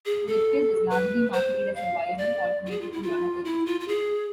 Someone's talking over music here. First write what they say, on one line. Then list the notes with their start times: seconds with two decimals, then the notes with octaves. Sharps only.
Lyptus is largely marketed as a viable alternative to mahogany.
0.06 G#4
0.27 A4
0.90 B4
1.33 C5
1.75 F5
2.18 D5
2.67 F4
2.71 G#4
2.81 F4
2.92 E4
3.03 F4
3.45 E4
3.66 F4
3.80 F4
3.88 G#4